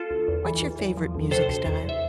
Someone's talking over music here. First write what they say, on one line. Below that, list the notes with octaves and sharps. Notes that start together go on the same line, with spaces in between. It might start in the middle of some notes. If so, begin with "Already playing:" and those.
What's your favorite music style?
Already playing: F4 A4
D2
E2
E3
E2
E2
F3
D2
C3 A4 C5
D2
E2
E2
E5